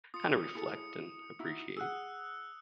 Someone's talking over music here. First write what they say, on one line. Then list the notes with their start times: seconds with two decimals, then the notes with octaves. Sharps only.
kind of reflect and appreciate.
0.14 F4 D#6 C#7
0.55 E4 G#4 A4 C#7
1.40 D#4 E4 F#4
1.77 G#4 F#5 E6 F#6